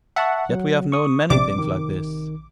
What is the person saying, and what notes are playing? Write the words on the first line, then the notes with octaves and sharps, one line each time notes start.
Yet we have known many things like this.
E5 F#5 A5 C#6
F#3
C#6 D#6
A#1 C3 D5 D6
D#3